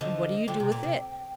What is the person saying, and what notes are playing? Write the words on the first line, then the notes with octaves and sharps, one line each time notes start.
"And what do you do with it?"
D3 F3 D#5
D3 F3 G5
C3
A#2
C3